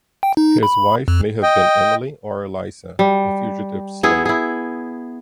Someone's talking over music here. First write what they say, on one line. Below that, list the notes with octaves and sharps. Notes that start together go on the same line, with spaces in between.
His wife may have been Emily or Eliza, a fugitive slave.
G5
D#4
B5
F2
D#5 G5
G3
B3 E4 G#4
E4 G#4